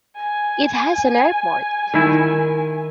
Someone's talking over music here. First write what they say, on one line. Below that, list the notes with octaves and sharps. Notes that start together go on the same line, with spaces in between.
It has an airport.
G#5
D#3 E4